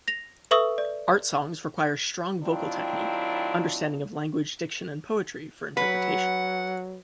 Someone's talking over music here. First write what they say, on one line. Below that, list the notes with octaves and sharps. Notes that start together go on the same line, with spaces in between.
Art songs require strong vocal technique, understanding of language, diction and poetry for interpretation.
A#6 F7
A4 B4 E5 C#6 D#6 E6
D5
D#3 F#3 C4 D4 E4 F4
F#3 B4 F#5